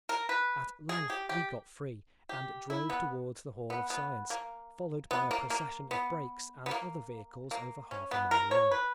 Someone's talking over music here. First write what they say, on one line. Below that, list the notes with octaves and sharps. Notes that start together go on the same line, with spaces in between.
At length we got free, and drove towards the Hall of Science, followed by a procession of brakes and other vehicles over half a mile long.
A#4
B4
G#4
G4
G4
G4
E4
B3
B3
B3
A#3
B3
A#3
A#3
B3
B3
A#3
A#3
C#4
B3
A#4
C#5
B4